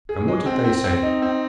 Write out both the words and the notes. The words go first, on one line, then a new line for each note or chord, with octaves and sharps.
'And what did they say?'
G#4
G#3
C4
C4
C4
D#4
C4